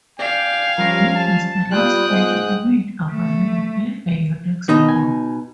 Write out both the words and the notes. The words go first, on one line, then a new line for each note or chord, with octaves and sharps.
This was the last version made available in a Unix port.
D5 F5 G5 G#5
F3 G3 C#4 A#4
A5
G3 B3 F4 G5 D#6 F#6
G#2
A3
B2 D#3 D#4 D#5
G#5